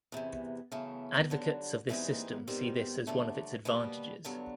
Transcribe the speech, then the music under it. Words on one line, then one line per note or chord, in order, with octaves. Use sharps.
Advocates of this system see this as one of its advantages.
E2 C3 E3 B3
C4
B3
F#2 C#3 E3 A3 B3
G2 D3 F#3
G#2 E3 G3 B3 C4 D#4
A#3
B3
A#3
G#2 D#3 G3 B3 C4
D#2 D3 F#3 A3
B2 G3 A#3 B3
G2 D3 F#3 B3